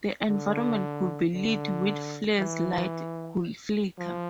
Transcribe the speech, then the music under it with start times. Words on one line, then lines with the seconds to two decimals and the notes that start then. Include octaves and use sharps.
The environment could be lit with flares, lights could flicker.
0.29 D3
1.34 D3
2.39 E3
3.98 F3